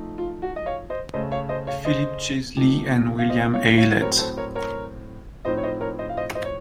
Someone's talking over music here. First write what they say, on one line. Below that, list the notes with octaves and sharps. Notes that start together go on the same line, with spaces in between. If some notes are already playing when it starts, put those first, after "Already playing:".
Philip Chesley and William Aylett.
Already playing: F3 A3 D#4
F4
F#4
D#5
C#5 F5
C5 D#5
C#3 A3 C#4 C5 D#5
C#5 F5
C5 D#5
C#5 F5
C5 D#5
C3 F3 A3 D#4
F5
C5 D#5
C#5 F5
C#5 F5
A2 F#3 C4 A#4 C#5
A4 C5
A#4 C#5
A#4 C#5
A2 F3 C4 D#4 C5 D#5
C#5
C5 D#5
A#4 C#5
C5 D#5
F5
C5 D#5
C5 D#5
C#5